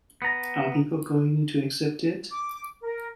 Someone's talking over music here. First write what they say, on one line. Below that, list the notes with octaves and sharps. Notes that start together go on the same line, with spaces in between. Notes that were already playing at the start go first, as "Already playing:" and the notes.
Are people going to accept it?
B3 A#5
D6
A#4